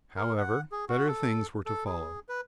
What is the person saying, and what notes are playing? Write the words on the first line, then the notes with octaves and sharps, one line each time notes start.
However, better things were to follow.
A#4
F#5
G#4
F#4
A4
A4
G#4
B4